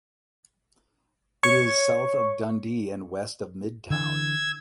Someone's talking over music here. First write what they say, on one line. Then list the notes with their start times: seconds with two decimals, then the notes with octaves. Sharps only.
It is south of Dundee and west of Midtown.
1.43 C#5 C#6
3.90 D3 E3 E6 G#6